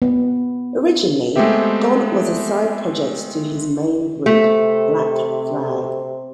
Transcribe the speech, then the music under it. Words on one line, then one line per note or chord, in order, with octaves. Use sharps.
Originally, Gone was a side project to his main group, Black Flag.
B3
G#3 A3 B3 C4 G4 E5
C3 A3